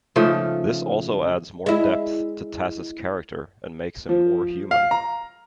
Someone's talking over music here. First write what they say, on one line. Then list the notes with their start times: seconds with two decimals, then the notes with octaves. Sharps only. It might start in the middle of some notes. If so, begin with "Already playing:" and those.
This also adds more depth to Tas's character and makes him more human.
0.16 G#2 C#3 F3 A3
1.66 G#3 E4
4.09 F3
4.71 F5
4.91 A#5